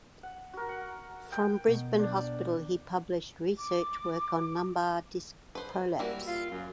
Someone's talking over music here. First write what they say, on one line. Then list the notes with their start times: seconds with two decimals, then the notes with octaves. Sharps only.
From Brisbane Hospital he published research work on lumbar disc prolapse.
0.23 F#5
0.53 F#4 A#4
0.69 F#5
1.32 G5
1.68 B2
1.99 D4 D5
3.58 D6
5.55 B4 C5
5.99 G3 A#3 E4 F#4
6.27 F4
6.50 F#2